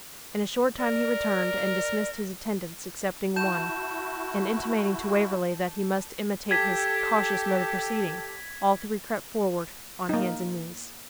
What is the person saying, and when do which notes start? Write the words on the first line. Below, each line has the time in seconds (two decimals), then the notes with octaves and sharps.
In a short time he returned, and dismissed his attendants excepting one; and, intimating to Waverley that he must imitate his cautious mode of proceeding, all three crept forward on hands and knees.
0.79 A#4 D5
3.36 E4 F#4 A5 G6 E7
6.51 G4 A4 G#6 B6
10.09 A#3 D#4